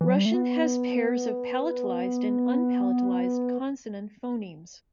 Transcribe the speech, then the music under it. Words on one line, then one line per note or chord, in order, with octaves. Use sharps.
Russian has pairs of palatalized and unpalatalized consonant phonemes.
E3
F#3
G3
A3
B3